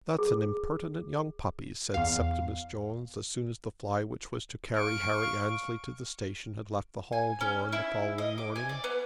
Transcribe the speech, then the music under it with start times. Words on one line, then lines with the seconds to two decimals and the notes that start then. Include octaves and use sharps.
"That's an impertinent young puppy," said Septimus Jones as soon as the fly which was to carry Harry Annesley to the station had left the hall-door on the following morning.
0.19 G#4
1.94 E2 F5
4.75 F5 C#6 D7
7.12 G#5
7.41 C#4
7.73 E4
8.18 D#5
8.38 D6
8.56 G#5
8.69 D5
8.84 B3